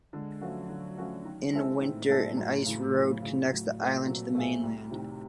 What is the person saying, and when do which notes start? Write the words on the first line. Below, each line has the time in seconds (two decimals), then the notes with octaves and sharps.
In winter an ice road connects the island to the mainland.
0.13 D3 G#3
0.41 F3 F#3 A3 C#4 F#4
0.69 D3
0.98 F3 A3 C#4 F#4
1.25 D#3
1.53 G#3 C4 E4 A4
1.81 A2 D#3
2.09 G#3 C4 E4 A4
2.37 F#2
2.66 C#3 E3
2.94 F#2
3.22 C#3 E3
3.50 A2 F#3
3.79 A3 C4 F4 G#4
4.07 A#2 F#3
4.35 A#2 A3 C4 F4 G#4
4.63 C2 A2
4.91 C3 D#3